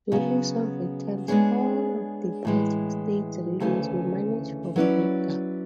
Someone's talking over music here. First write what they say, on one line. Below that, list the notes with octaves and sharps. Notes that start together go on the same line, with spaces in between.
During Soviet times all of the Baltic states railways were managed from Riga.
C#3 F#3 B3 F#4
G#3 B3 D4 G#4 C#5
A2 E3 G#3
D2 C#3 E3 A3 C#4
F#3 C#4 E4 B4 D5